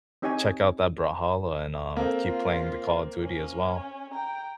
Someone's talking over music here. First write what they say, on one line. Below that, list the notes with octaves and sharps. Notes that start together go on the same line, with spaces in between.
check out that Brawlhalla and, um, keep playing the Call of Duty as well.
C4 D#4 G4 C#5 D#5 G#5
A#3 C4 A4
F4
C#4
G5 A#5